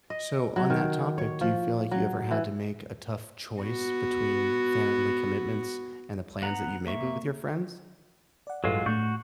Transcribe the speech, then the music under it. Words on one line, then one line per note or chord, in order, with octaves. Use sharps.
So, on that topic, do you feel like you ever had to make a tough choice between family commitments and the plans that you made with your friends?
D#5
F#3
D#3
C#5
F3
F#3
E3
B3 F#4
B3 F#5 A#5
A#3 E5 C#6
D5 F#5
A1 G2 F#3 G#3 F4
A2 A3 D4 F#4 C#6 G6